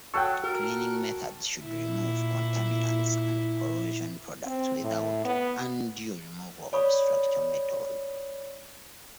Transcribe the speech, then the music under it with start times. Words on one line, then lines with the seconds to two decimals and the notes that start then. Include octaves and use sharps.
Cleaning methods should remove contaminants and corrosion products without undue removal of structural metal.
0.14 F#3 A4 F#5 G5 C#6
0.44 F#4 A#4
1.63 A#2 E4
4.46 C4
4.82 A2
5.25 B3
6.73 C#5 D5 B5 C#6 D#6